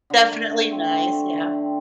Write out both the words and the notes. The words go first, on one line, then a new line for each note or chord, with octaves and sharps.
Definitely nice, yeah.
D3
A3
D3
C4
D3
A3
D3
C4